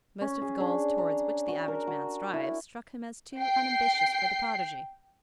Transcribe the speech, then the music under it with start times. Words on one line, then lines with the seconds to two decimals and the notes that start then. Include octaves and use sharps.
Most of the goals towards which the average man strives struck him as too unambitious for the prodigy.
0.21 C#4
0.42 G#4
0.60 D4
0.98 A#5
1.48 F#4
1.68 A#4
1.87 F#4
2.33 E4
3.39 G5 C7